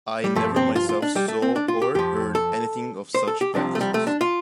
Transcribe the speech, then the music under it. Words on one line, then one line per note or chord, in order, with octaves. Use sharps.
I never myself saw or heard anything of such practices.
G3
G2 F3 A3
C4
F4
F4
D4
G3
A3
C4
D4
F4
G4
F2 F3 G4
A4
C5
A4
G4
C2 C3 F3 D4
A3
G3
A3
D4
F4